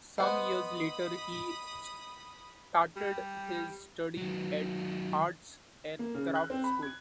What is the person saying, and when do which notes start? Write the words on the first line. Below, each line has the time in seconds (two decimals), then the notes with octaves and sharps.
Some years later he started his studies at Arts and Crafts School.
0.18 B3 C5 D#5 B5 D#6
2.96 G3
4.17 D#3 F#3
5.99 A#3
6.15 C#3
6.35 F#6
6.50 C4
6.64 B5
6.82 G#6